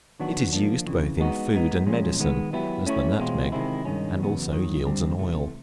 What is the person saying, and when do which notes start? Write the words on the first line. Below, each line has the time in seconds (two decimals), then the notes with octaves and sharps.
It is used both in food and medicine, as the nutmeg, and also yields an oil.
0.20 D#3 F#3 B3 D4 F#4
0.53 F3 A#3 D4
0.86 F2 C#3 E3
1.20 G#3 B3 D#4 F#4
1.53 G#3 B3 D#4
1.86 A#2 F3 G#3 C#4
2.19 D#3 G#3 B3
2.53 F#3 B3 E4 G4
2.86 A3 C#4 E4 A4 C#5
3.19 E2 B2 G#3 C4 F4
3.52 C3 D#3 G#3 C4 E4
3.85 G2 D#3 G#3 C#4
4.19 E2 C#3 F#3 B3
4.52 G2 D#3 F#3
4.86 G2 D3 G3 C4
5.19 C3 E3 A3